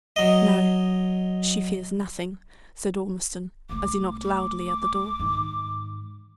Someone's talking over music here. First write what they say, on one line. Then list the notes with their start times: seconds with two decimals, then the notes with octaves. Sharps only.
"No; she fears nothing," said Ormiston, as he knocked loudly at the door.
0.16 F#3 D#5
3.69 C2 A3 D6
4.22 D6
5.19 G#2 D#3